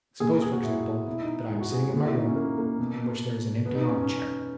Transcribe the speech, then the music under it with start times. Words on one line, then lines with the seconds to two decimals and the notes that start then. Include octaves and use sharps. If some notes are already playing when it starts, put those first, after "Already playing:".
Suppose, for example, that I am sitting in my room, in which there is an empty arm-chair.
0.20 A#2 G#4
0.31 A#4
0.42 G#4
0.52 F#4
0.63 E4
1.07 B2 E4
1.20 D#4
1.50 G#3
1.61 F#4
1.72 G#4
1.82 G#4
1.92 A#2 F#4
2.03 E4
2.14 D#4
2.25 C#4
2.36 A#3
2.58 A#3
2.79 B2
3.65 B2 B3
3.75 D#4
3.87 C#4
3.98 C#4
4.08 C#4